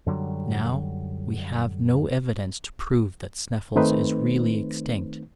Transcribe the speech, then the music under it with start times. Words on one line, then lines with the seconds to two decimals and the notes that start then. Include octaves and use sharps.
Now, we have no evidence to prove that Sneffels is really extinct.
0.06 F#2 D3 F#3 G3
3.76 D#3 A3 C4 D#4 B4 C5